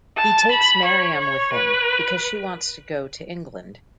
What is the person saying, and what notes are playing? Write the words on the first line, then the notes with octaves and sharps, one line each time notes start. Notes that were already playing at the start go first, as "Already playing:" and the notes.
He takes Maryam with him, because she wants to go to England.
A5
B5
C#5
C#5
B4